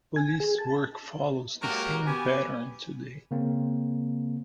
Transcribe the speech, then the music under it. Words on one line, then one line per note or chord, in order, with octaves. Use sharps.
Police work follows the same pattern today.
G#5
G#4
A5
F#3 G#3 A#3 F#4 G4 A#4
B3 G4 G#5
C#3 A#3 C4